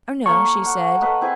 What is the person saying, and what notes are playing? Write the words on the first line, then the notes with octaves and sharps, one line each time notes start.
"Oh no," she said.
A#3 A4 C#5 C#6
F#5
A4 B4 D#5
C4 E4 G#4